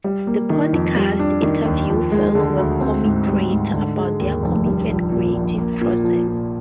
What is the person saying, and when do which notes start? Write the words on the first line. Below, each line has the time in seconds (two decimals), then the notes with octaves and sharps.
The podcast interviewed fellow webcomic creators about their comics and creative process.
0.04 G3
0.27 A#3
0.50 D#3
0.73 F2
0.96 G3
1.19 D4
1.42 D#3
1.66 D#2
1.89 F3
2.12 G#3
2.35 D3
2.58 D2
2.81 C4
3.04 G#2
3.27 G3
3.51 G#2
3.74 D3
3.97 G#3
4.20 D#2
4.42 F1
4.66 G3
4.89 A#1
5.12 A#2
5.35 A#1
5.58 A#3
5.81 A#2
6.04 F3
6.28 A#2